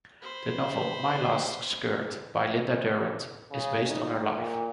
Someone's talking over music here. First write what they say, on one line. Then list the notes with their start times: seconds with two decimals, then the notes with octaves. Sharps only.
The novel "My Last Skirt", by Lynda Durrant, is based on her life.
0.22 C5 B5
3.51 C#3
3.88 D#4
4.36 A#2